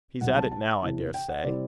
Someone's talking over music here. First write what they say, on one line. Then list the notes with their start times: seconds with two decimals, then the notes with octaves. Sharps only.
He's at it now, I daresay.
0.21 C2 B2 F#3 F#5
0.36 A5
0.51 A5
0.82 E2 C3 E3
1.14 G5
1.28 F#5
1.44 C3 G3 C4 E4 D5